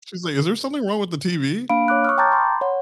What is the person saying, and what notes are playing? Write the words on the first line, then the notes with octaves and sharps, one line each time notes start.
She's like, "Is there something wrong with the TV?"
A#3 D4 F5 B5 D7
C#5 D6 F#6
C#6 D#6 F6
G5 A5 A#5 D6 G6 A6
B5 C6
C#5 F#5